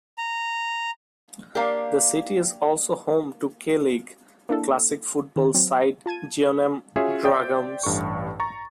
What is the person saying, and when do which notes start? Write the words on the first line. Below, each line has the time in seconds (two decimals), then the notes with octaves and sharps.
The city is also home to K League Classic football side Jeonnam Dragons.
0.18 A#5
1.55 A#3 D4 G4 A#4 F5 A#5
4.49 A#3 D4 E4 A4
5.36 D#3
5.54 F#3 C4
6.06 F4 A5 G#6 D#7
6.96 C#4 F4 F#4 G#4 C#5 E5
7.24 C5 D5 E5 G5 G6
7.83 A1 G2 A4 C#6
8.40 A#5 C#6 A6